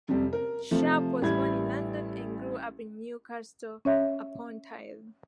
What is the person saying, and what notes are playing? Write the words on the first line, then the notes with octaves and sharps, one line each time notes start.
Sharp was born in London and grew up in Newcastle upon Tyne.
F2 C3 G3
A#4
C3 F3 A3
A1 G3 E4 B5 G#6
C#4 C#5 E5